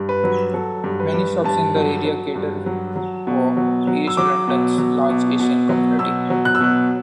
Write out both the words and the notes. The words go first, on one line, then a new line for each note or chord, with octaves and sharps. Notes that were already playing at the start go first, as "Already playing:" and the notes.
Many shops in the area cater for east London's large Asian community.
Already playing: G2
B4
F#3
F#3 A4
G2
B4
G2
G2 A5
F#3
F#3
G2
F#3
F#3
B2
F#3
F#3
E6
F#3 D6
B2
F#3
B2
B2
F#3
B2 E6
F#3
F#6
E6
B2 F#6